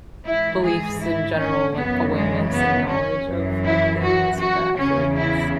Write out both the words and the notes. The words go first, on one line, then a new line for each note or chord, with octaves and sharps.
beliefs in general, like awareness and knowledge of of things, but I feel like that's
G#2 E3 E4
G#4
E4
C#4
F#2 C#3 E3 B3
G#3
B3
C#4
F#2 E3
E4
F#4
F#4
E2 C#3 E3 C#4
E4